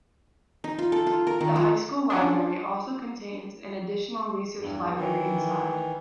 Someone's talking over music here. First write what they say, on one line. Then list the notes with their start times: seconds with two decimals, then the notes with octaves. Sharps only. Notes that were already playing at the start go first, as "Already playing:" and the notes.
The high school library also contains an additional research library inside.
0.64 D#4
0.79 F4
0.92 A4
1.07 F4
1.27 A#4
1.41 D#3
1.56 F4
2.10 F3 C#4 D4
4.60 E2 G2
4.94 D#3 E3